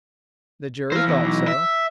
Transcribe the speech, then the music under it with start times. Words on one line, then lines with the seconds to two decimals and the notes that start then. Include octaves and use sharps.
"The jury thought so."
0.92 E3 C5 F5 A#5
1.08 E2
1.24 B1
1.48 E5